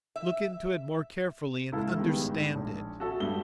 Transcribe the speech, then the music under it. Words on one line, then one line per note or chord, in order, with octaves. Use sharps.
Look into it more carefully and understand it!
E5
C#2 E4 A4 F5
D#3 G3 G#3 B3
G#1
A#1
F#4 A4 E5
G2 G4 G7